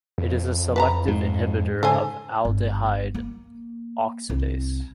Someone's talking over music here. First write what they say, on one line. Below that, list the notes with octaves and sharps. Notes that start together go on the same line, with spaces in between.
It is a selective inhibitor of aldehyde oxidase.
F2
B4 A5 A#5
G#2
C#3 A4 C5 G#5
G1
A#3
C2